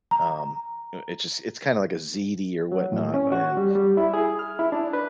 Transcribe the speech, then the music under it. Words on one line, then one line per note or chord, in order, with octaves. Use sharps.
um it's just it's kinda like a ziti or whatnot, and
A#5
F#3
A2
C#4
F#4
G3
G3
E4
G#4
F6
E4
D4
B4